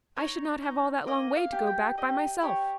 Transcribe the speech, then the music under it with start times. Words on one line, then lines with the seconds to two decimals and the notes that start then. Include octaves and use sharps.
"I should not have all that long way to go back by myself."
0.17 D#4 C#5
0.62 D#4
1.07 A#3 D#5
1.37 F5
1.52 G4
1.67 G5
1.97 G4 D#5
2.42 G4 C#5